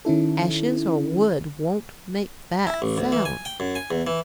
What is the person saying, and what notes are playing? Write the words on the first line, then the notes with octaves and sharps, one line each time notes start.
Ashes or wood won't make that sound.
D#3 C#4 E4 A4
E4
A1
D2
E3
G#5
G5
F#2
G#5
E2
E3